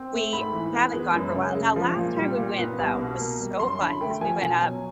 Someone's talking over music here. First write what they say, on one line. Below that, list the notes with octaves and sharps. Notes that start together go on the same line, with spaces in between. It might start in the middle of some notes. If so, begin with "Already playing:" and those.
we haven't gone for a while, now last time we went, though, was so fun, 'cause we went up
Already playing: C4
A3
G#2 B5
E3
B3
G#3
F#2
C#3
G#3
F3
A#2
G3
A#2
B3
C2
B2
A#3
G3
F#2 C6
D3 B5
A3 G5
F3 G#5
B2 G#5
F#3